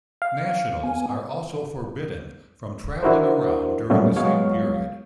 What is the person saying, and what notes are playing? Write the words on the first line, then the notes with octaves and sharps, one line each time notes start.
Nationals are also forbidden from travelling around during the same period.
F5
B3 G#5
D4 E4 F#4 A#4 C5
A#2 F#3 G3 A3 B3 C#4
F#3 G#3 B3 C#5 F5